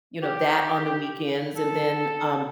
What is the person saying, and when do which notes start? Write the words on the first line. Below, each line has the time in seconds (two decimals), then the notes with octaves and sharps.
you know, that on the weekends, and then, um
0.23 G4
1.56 A4